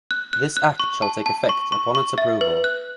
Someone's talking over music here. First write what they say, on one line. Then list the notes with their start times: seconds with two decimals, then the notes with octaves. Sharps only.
This Act shall take effect upon its approval.
0.11 F#6
0.33 F#6
0.57 F#6
0.80 C#6
1.02 A5
1.26 A5
1.49 C#6
1.72 C#6
1.95 C#6
2.18 E5
2.41 B4
2.64 F#6